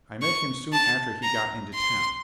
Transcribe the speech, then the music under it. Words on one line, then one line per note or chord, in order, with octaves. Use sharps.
I met him soon after he got into town.
C#6
A5
A#5
C6